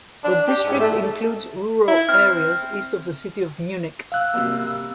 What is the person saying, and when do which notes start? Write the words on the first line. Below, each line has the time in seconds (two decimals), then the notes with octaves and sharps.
The district includes rural areas east of the city of Munich.
0.24 D4
0.48 G4
0.66 G#2
0.80 A3
1.88 E4
2.09 C4 F6
4.12 F5 E6 F#6
4.34 C3 G3 A#3